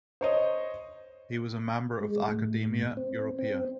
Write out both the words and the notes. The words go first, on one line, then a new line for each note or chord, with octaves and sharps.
He was a member of the Academia Europaea.
C5 C#5 D#5
G#3
A2
C4
C4